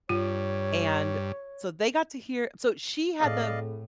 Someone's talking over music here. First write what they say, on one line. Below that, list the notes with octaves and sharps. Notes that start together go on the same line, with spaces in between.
and so they got to hear so she had the
G2 F4 C#5
A2 C4 G#4 A4 D5 D#5 F5